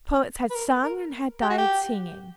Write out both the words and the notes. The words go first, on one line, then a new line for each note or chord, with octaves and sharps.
Poets had sung and had died singing.
B4
A#4
A#4
G4
F#4
G4